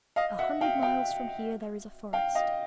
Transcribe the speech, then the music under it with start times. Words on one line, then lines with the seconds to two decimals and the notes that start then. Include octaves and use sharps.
A hundred miles from here there is a forest.
0.16 D#5 F5
0.39 E5 F#5
0.61 F5 G5
0.82 F5 G5
2.13 F5 G5
2.35 D#5 F5